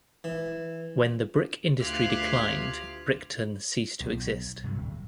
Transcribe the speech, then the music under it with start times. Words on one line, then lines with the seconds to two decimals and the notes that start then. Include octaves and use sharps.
When the brick industry declined, Brickton ceased to exist.
0.24 E3
1.80 D2 F4 G4 F6 F#6 G#6
4.00 B1
4.64 G2 C3 F#3
4.77 D1